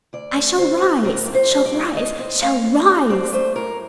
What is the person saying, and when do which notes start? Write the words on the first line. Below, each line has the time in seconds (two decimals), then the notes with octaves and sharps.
I shall rise... shall rise... shall rise.
0.13 D2 D5
0.36 A3
0.58 D3 C5
0.82 C4
1.04 A2 A#4
1.28 C4
1.35 C5
1.51 G3
1.66 D5
1.73 A2
1.96 A2 D#5
2.19 C4
2.42 A3 F5
2.65 A2
2.88 A2
3.10 C4 D5
3.33 A3 C5
3.55 A2 A#4